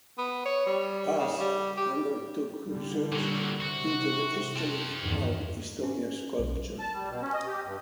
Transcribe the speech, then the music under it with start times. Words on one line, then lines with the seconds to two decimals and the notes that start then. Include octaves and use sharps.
Paas undertook research into the history of Estonian sculpture.
0.18 B3
0.45 C#5
0.66 G3
1.18 C#3
1.39 G3
1.77 G4
2.68 D3 G3
3.12 A#2 F#3
3.62 C3 F#4
4.56 C4 A5
5.02 E2 G2 D#3
5.83 C#4
6.39 B1
6.79 A5
6.94 G3
7.09 B2
7.22 C#4
7.33 D#5
7.46 G4
7.65 G2